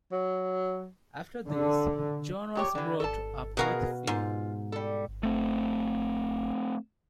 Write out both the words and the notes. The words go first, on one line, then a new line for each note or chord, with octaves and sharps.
After this, Joan was brought up with Philip.
F#3
D3
A#2 G4 C#5
D3 E3
A4 A5
B2 F#4 G#4 A#4 F5 G#5
G#2 F4
G3 A4
A3 C4